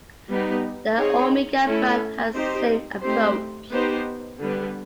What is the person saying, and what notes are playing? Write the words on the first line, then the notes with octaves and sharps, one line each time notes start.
The Omega brand has the same approach.
G3 B3 D#4 G4
C4 D#4 G#4 C#5
A3 C#4 E4 A4
C4 D#4 G4 C5
A3 C4 D#4 G4 C5
B3 D#4 G4 C5
D3 G3 B3